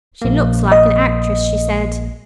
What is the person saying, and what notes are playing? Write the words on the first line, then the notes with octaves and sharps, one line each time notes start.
"She looks like an actress," she said.
A#1 A#3
D#5